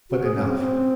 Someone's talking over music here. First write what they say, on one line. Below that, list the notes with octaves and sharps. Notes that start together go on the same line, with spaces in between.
But enough....
F#4
G#4
C#4
C4